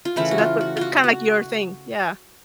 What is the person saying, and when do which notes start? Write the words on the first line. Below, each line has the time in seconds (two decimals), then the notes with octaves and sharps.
So, that's what it's kinda, like, your thing, yeah.
0.05 F4
0.16 C#3 E3 A3 E4
0.31 F#4
0.38 F4
0.61 F#4
0.77 F4 F#4
1.04 F#4